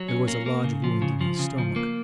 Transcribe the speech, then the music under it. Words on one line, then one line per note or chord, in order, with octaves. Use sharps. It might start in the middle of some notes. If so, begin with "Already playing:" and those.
There was a large wound in his stomach.
Already playing: F#3
C#4
A#3
A#3
C#3
F3
C#3
F3
C#3
F3
A#3